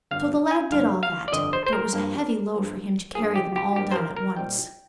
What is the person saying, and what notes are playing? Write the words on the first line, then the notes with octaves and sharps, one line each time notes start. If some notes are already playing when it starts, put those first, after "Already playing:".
So the lad did all that; but it was a heavy load for him to carry them all down at once.
G1 F2 D3 G3 F5
G#5
G1 F2 D3 G3 F5
F5
D5
G1 F2 D3 G3 D#5
C5
C5
A#4
G2 F3 A#3
G2 F3 A#3
G2 F3 A#3 G#4
G4
G4
G2 F3 A#3 G4
C5
A#4
A#4
A#2 G3 C4 D#4 G5